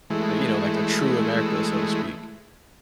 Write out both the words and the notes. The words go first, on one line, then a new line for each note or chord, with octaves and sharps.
like, you know, like, the true America, so to speak.
E3 G#3 A3